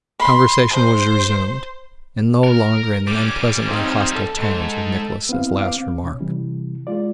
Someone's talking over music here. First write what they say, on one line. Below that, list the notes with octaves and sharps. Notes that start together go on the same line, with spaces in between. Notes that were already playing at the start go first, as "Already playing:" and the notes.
The conversation was resumed, and no longer in the unpleasantly hostile tone of Nicholas' last remark.
B5 C6
C5
A#4
G3 C#4 D6
C4 D#4 F5
A4
G#2
B3 C4 E4 F5
B3 F5 D6
C4
B2 C#4
C3 E3 G3
G#3 F4 D5